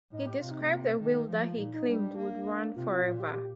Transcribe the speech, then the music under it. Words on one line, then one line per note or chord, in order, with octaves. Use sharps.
He described a wheel that he claimed would run forever.
A2 D#4
G4
C3 F4
D#4
A3
A#3
A3
D#3 A3
F3 G3
F4
A#2 D#4
D#4
G3 D4
D4
A#3
C3 F4
F4
A#2 F4
G4
G4